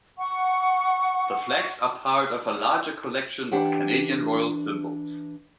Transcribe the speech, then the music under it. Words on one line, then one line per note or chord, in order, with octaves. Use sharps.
The flags are part of a larger collection of Canadian royal symbols.
F#5 C#6
E3 D4 G4 F#5 G5